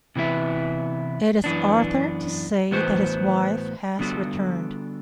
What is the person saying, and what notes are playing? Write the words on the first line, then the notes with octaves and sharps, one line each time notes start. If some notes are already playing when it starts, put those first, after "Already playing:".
It is Arthur to say that his wife has returned.
C3 E3 B3 E4
F#2 E3 B3 D4
A2 E3 B3 F#4 C5
D3 G3 B3 F#4 A4